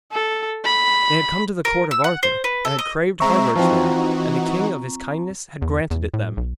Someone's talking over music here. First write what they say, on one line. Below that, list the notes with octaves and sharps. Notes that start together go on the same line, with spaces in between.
They had come to the court of Arthur, and had craved harbourage there, and the king of his kindness had granted it them.
A4
B5
A#4
E6
F#5
C5
B4
A4
D#5
G#3 C4 E5 A#5 C#6
E3 F3 C4 D#4 F#4
E2
E2
A2
B1